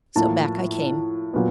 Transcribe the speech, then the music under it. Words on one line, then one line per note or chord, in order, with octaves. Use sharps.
So back I came.
A2 F3 A#3 A5
A#2 F#3 B3